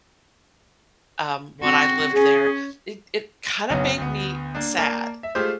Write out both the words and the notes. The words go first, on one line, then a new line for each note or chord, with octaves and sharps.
um, when I lived there, it it kinda made me sad.
C4 F#4
C#4 G#4
F#1 B1 F#3 B3 F#4
D2 B3
A#3 D4
A#3 A#4 D5 A5
E5
G#3 A3 F4 G4 G#4 C5